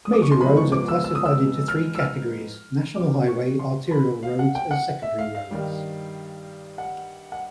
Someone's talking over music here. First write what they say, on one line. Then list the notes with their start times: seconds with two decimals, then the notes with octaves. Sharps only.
Major roads are classified into three categories: National Highway, Arterial Roads, and Secondary Roads.
0.05 D#6
0.13 D6
0.22 C#6
0.31 C6
0.40 G#2 F3 G#3 B3 B5
0.57 C#6
0.72 D6
0.88 E6
1.04 E6
1.15 D#6
1.25 E6
1.68 F6
1.95 E6
1.99 F6
2.95 B2 G3 C4 D6
3.28 C#6
3.59 C6
3.91 B5
4.23 F5
4.39 F#5
4.55 G5
4.71 F#5
5.02 E5
5.18 F5
5.35 F5
5.51 G2 D#3 G3
6.78 F#5
7.32 F#5